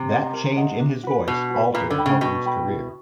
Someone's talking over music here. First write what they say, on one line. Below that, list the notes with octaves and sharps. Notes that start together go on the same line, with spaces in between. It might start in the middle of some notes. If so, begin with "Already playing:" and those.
That change in his voice altered Helton's career.
Already playing: C3
D#5 F#5
A#4
D#5 F#5
D4
F#4 B4
B2 D4
F#4 B4
A#2 B4
D3
D#5 G5 B5
C#3
B2 B4
D#5 G5 B5
E4